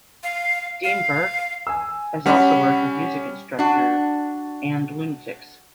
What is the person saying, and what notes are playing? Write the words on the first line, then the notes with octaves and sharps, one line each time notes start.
Dean Burke has also worked with Music Instructor and Lunatics.
F5
F5
G#5 E6
G3 C#4 F#5 B5
D4 F#4